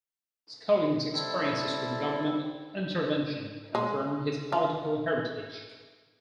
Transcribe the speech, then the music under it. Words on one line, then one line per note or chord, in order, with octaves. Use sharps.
Scoggins's experiences with government intervention confirmed his political heritage.
G3 C4 E4 A4
G#3
F4